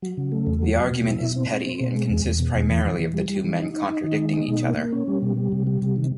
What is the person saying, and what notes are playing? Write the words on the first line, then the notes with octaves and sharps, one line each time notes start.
The argument is petty, and consists primarily of the two men contradicting each other.
F#3
C#3
A3
E2
F#3
F#3
B2
E4
B2
C4
C4
C4
B2
G#3
E2
E2
B2
E2
E3
E3
E3
G3
G3
E3
D#4
D#4
D#4
D#3
G#3
D#4
B2
A#3
A#3
C#4
G3
B2
G3
C3
G3
C3
D#3